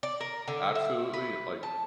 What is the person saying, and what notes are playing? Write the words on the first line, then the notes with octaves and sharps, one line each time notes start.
absolutely like
D5
A#4
D3
E5
B4
A5